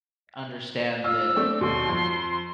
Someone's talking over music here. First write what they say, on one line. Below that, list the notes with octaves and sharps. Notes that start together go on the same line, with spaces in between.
understand that,
F4 E6
A3 C4 D4
D#2 B2 C6
F2